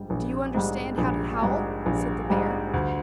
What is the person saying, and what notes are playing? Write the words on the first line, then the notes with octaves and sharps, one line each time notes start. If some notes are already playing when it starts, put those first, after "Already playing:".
'Do you understand how to howl?' said the bear.
Already playing: A#1 G#2 G3
A#1
G#2 G3
A#1
G#2 G3
A#1
G#2 G3
D2